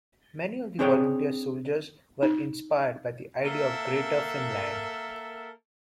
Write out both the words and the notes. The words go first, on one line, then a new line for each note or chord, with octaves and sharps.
Many of the volunteer soldiers were inspired by the idea of Greater Finland.
C4 D4 G#4 C#5 G5
D#4
A#3 A4 A#4 E5 F#5 A5